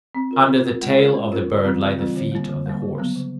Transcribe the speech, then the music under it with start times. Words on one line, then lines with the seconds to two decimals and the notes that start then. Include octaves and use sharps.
Under the tail of the Bird lie the feet of the Horse.
0.15 C4
0.31 F4 A#4
0.48 C4
0.65 F4 A#4
0.81 G#3
0.98 C#4 F4 A#4 C#5
1.15 G#3
1.32 C#4 F4 A#4 C#5
1.48 C#3
1.65 E3 G3 C4 F4
1.82 C#3
1.98 E3 G3 C4 F4
2.16 D3
2.32 G3 A#3
2.48 D3
2.66 G3 A#3
2.82 C#3
2.98 F#3 B3
3.15 C#3